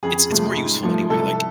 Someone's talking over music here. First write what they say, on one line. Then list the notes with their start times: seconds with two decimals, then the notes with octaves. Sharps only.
It's it's more useful anyway, like
0.03 F2 G#4
0.30 C3 F3 A3
0.56 G#2
0.83 F3 A3
1.10 C2 A4